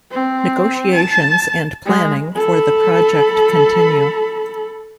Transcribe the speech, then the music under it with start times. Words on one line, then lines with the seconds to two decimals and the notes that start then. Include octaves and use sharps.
Negotiations and planning for the project continue.
0.11 C4
0.95 A5
1.86 G#3
2.35 A4 B5